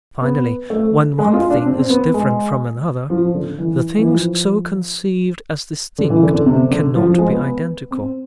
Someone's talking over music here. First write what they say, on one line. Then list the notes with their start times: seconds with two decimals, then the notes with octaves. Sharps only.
Finally, when one thing is different from another, the things so conceived as distinct cannot be identical.
0.22 B3
0.70 A3
1.19 G#3
1.34 F4
1.50 D4
1.66 C4
1.78 C4
1.90 B3
2.14 G#3
3.10 F3
3.34 D3
3.58 E3
3.99 E3
4.07 F3
5.98 D3
6.10 E3
6.23 D3
6.34 D3
6.46 C3
6.70 D3
6.95 F3
7.06 F3
7.18 G#3
7.31 B3
7.91 C4